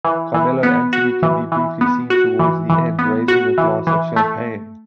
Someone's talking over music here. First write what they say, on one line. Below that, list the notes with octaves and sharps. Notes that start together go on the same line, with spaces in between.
Carmelo Anthony can be briefly seen towards the end, raising a glass of champagne.
E3
E3
B3
F#4
E3
E3
B3
F#4
E3
E3
B3
F#4
E3
E3
A3